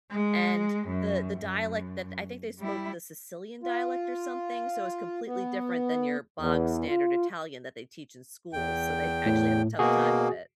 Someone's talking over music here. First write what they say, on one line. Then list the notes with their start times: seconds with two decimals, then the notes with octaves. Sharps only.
And the the dialect that I think they spoke the Sicilian dialect or something, so it's completely different than your bog-standard Italian that they teach in school. So they actually had a tough time of it.
0.11 G#3
0.87 F#2
1.38 F#2
2.59 G3 E4
3.63 F4
5.27 B3
6.40 E2
6.88 F4
8.53 E2 G5
9.26 A2
9.79 B2 A#3 F#4 G#4